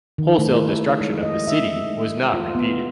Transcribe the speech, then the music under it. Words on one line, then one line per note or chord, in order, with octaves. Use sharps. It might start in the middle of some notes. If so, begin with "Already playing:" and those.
Wholesale destruction of the city was not repeated.
D#3
A3
E4
G#3
D#5
E5
F4
B3